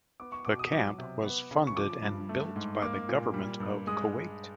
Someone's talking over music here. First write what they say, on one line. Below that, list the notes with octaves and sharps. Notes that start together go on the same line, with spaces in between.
The camp was funded and built by the government of Kuwait.
B3 D6
C#6
B2 D6
D#6
F#3 D6
C3
B3
C#3
C#6
F3 D6
G2
A3
G#2
A#3 D6
A#2
G3
G2
G#3 D#6